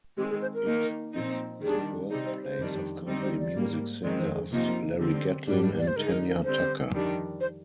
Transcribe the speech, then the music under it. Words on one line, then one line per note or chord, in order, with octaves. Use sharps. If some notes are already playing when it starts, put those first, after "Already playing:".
It is the birthplace of country music singers Larry Gatlin and Tanya Tucker.
D#3 G#3 C4 G4
G#4
C5
A#4
D#3 A#3 D#4
A#2 F3 C4 D#4
D#3 G3 D4 G#4
C3 G3 C4 D#4 G#4
C5
C5
F2 D#3 G3 D4
D3 G3 C4 D#4 C5
C5
D5
G#2 G3 A#3
F2 D#3 G#3 C4 D5
C5
G#4
C3 F3 A#3 D#4 F4
D3 G3 C4
G#2 G3 D4 G4
D5
C5
D3 G#3 D#4 A#4
G#4
A#4
A#4
D3 G3 C4 C5
F2 D#3 G3 D4
C5